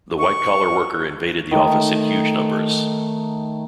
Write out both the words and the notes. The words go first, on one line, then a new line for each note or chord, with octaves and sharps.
The white-collar worker invaded the office in huge numbers.
C#6
D#3 A3